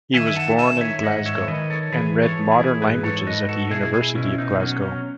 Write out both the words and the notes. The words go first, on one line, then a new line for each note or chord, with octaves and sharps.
He was born in Glasgow, and read Modern Languages at the University of Glasgow.
D#3 E5 G#5
F#5 A5
D#3 E5 G#5
C#5 E5
G#2 D#5 F#5
C#5 E5
D#3 B4 D#5
A4 C#5
E3 G#4 B4
A4 C#5
E3
E4 G#4
G#2 G#4 B4
A4 C#5
G#2 B4 D#5
F#4 A4
B2 E4 G#4
E4 G#4
B2 C#4 E4
D#4
F#3 C#4
C#4